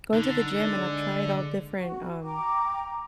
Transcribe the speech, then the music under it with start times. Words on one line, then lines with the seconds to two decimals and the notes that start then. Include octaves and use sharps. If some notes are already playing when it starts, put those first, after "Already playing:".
going to the gym, and I've tried all different, um,
0.13 D3 D#4
0.62 G#3 D5
1.69 F#4
2.22 G5 A#5 D6